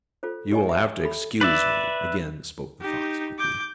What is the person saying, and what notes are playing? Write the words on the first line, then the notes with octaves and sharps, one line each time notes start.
"You will have to excuse me," again spoke the fox quickly.
F4 A4 C5
G4 C#5 D#5 G#5
E5 F#5
A4 B5
B4 D5 E5
D#4 G4
D6 G6